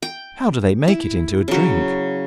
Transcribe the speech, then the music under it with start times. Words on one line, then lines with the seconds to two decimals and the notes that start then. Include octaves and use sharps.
How do they make it into a drink?
0.02 G5
0.88 E4
1.48 C#3 F#3